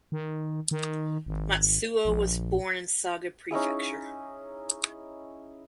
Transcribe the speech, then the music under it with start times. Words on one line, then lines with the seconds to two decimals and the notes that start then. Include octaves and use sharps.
Matsuo was born in Saga Prefecture.
0.12 D#3
0.71 D#3
1.26 G#1
2.05 A#1
3.51 C#4 D#4 E4 G#4